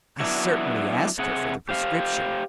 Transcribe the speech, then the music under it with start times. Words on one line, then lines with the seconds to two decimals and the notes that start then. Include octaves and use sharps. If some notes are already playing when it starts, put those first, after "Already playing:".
I certainly asked her for the prescription.
0.20 F#3 B3 D4 E4 F#4
1.19 C3 G#4 F#5
1.69 G4 C5 F5